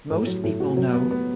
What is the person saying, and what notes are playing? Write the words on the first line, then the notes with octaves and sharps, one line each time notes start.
Most people know.
A2
F#3
A2
F#4
F#3
B3
B3